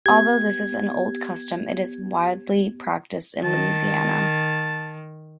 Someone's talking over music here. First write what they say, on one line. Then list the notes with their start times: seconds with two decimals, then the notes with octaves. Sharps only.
Although this is an old custom, it is still widely practiced in Louisiana.
0.06 B3 G4 G#6
3.44 D#3 A5